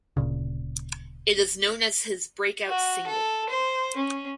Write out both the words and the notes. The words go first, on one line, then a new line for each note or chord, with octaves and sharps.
It is known as his breakout single.
D1 B1 A#2 C#3
F#4
A4
C5
C#4